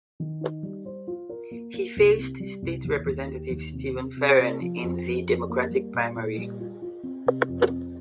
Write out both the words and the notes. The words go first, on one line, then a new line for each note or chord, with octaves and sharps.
He faced State Representative Steven Feren in the Democratic primary.
D#3
D#4
G3
C5
F4
A#4
A#3
A#3
C2
C3
G3
C2
D#2
D#2
G4
D#2
C3
C3
C3
C3
F3
F2
F3
F2
A#3
G3
A#2
A#2
G3
F4
F4
C4
C3
F2
C4